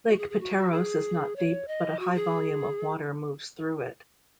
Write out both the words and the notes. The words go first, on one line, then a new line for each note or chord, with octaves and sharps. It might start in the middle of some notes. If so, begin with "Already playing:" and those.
Lake Pateros is not deep but a high volume of water moves through it.
F#4
G#4
G#4
F#4
F#4
G#4
C#5
D#5
F#4
G#4